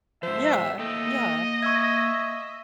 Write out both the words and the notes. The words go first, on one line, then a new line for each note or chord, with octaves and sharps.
Yeah. Yeah.
G#2 F3 C5 E5
A3 A#3 D#5 G5
E5 C#6 E6 G#6